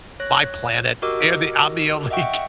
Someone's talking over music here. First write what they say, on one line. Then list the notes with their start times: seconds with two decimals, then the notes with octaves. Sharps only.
my planet, they're the I'm the only
0.20 C#5 F#6 A#6
1.02 F#4 G4 A#4 D#5 D6 E6
2.10 D#5 E5 F#5 G5 C#6